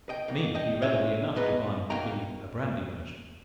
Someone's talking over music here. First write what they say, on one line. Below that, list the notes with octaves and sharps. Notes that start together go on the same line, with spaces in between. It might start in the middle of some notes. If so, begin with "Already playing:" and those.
Me he readily enough divined to be a brandy merchant.
D#5 G5
B2 A#3 D#4
D#5 G5
A#2 G#3 C#4 C#5 E5
B2 G#3 B3 D#4 B4 D#5
B2 A#3 D#4 G5 A#5